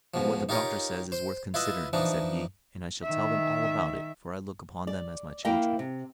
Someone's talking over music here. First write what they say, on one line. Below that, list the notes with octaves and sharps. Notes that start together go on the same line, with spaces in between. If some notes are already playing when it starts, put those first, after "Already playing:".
"But what the doctor says is worth considering," said he, "and I shall tell them all about it, for I look upon them as my children."
G#2 B2 F3
D#4 F4 G4 A#4 C#5
C5
E4 F4 B4 D#5 E5
E3 F3 D4 D#4
D#3 E5
D5
A#3 E4 A#4 F5 G5
C3